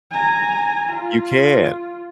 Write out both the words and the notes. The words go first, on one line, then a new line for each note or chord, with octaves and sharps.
You can.
G#5 A#5
F4